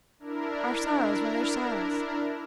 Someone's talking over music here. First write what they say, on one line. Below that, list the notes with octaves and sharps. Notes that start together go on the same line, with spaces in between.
Our sorrows were her sorrows.
D4 E4 A#4